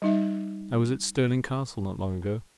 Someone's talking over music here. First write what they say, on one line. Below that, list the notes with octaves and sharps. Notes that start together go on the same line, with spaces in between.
I was at Stirling Castle not long ago.
G3 D#4 E5